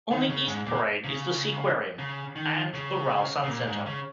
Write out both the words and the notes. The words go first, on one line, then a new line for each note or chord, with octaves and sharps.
On the East Parade is the SeaQuarium and the Rhyl Suncentre.
D#3
C#3
G#2
A#2
C#3
C#3
D#3
C#3
C#3
A#2
G#2
C#3